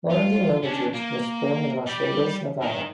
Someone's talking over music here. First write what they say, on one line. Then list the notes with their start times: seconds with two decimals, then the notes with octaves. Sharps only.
Loren Dean Jovicic was born in Las Vegas, Nevada.
0.10 F4
0.63 C#4 D4
0.93 A#3
1.86 G3 G4
2.61 D#3 A#4